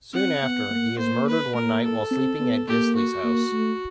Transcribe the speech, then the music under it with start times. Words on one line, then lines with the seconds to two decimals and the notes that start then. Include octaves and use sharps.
Soon after, he is murdered one night while sleeping at Gisli's house.
0.14 C4 F#5
0.42 B3
0.71 A#3
0.99 A#3 C5
1.27 B4
1.55 A#3 A#4
1.83 A4
2.11 C4
2.40 B3
2.67 A#3 G4
2.95 F#4
3.24 A#3
3.53 A3